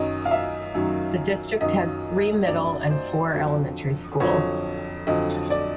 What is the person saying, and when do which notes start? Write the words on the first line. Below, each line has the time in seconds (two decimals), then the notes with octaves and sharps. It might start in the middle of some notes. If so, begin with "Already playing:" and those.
The district has three middle and four elementary schools.
Already playing: F#2 D#3 F#3 D#5
0.25 F5
0.31 E5
0.74 F#2 D#3 F#3
1.61 F#2 D#3 F#3 D#5
2.47 F#2 D#3 F#3 D5
2.90 C5
3.33 F2 D3 F#3
4.20 F2 D3 F#3 C#5
5.07 F2 D3 F#3 D#5
5.50 D5